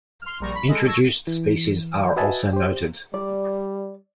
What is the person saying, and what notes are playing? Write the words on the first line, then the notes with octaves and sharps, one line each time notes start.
Introduced species are also noted.
C6 F6
A#1 G3 A#5 C#6
B5
G#3 A4 D#5
A5 C#6 E6 G#6 A#6
E3
F#4 B4 D#5 E5 G#5 A5
G4 C5
G3 D5